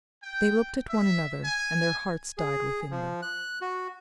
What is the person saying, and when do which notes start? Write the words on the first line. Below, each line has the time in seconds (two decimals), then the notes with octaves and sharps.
They looked at one another, and their hearts died within them.
0.23 G5
0.89 E5
1.44 G#5
2.38 G#4
2.91 F3
3.22 F#6
3.61 F#4